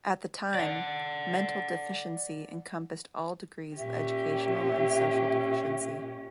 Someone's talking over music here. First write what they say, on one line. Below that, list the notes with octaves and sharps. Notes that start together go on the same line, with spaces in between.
At the time, "mental deficiency" encompassed all degrees of educational and social deficiency.
D5 F#5
A#2 C#4 G4 E5